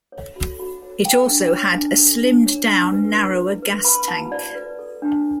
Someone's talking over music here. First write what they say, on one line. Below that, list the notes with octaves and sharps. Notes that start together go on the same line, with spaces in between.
It also had a slimmed down narrower gas tank.
C#5
F#4
F#4
C#5
A4 G5
D4
C#5
D4
A4
D4
C#5
D4
B4
E4
E4
B4
B4 B5
E4 A5
E4 D5
B4
A4
D4